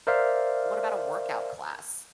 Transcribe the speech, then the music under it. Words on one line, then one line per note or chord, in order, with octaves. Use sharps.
what about a workout class?
A#4 C5 D5 E5 F5